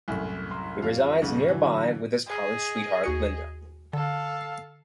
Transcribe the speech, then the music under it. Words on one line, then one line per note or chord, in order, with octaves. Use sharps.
He resides nearby with his college sweetheart, Linda.
C2 F#2 A2 G#5
A#5 C6
F2 F3 G3 F4
B1 G#2 C#3
D3 E3 F#3
G#4 D#5
D#2 F#4 C#7
D3 A4 F5